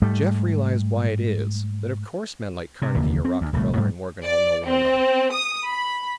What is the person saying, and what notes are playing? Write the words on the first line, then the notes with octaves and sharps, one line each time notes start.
Jeff realized why it is that of course men like Carnegie or Rockefeller and Morgan all know one another.
G#2 G3 A3
C3
F1 D#2 D3 A#3
C4
D2
D#1 C2 C#3 A3
G#2 G3 A3
D5
C4
D#6
B5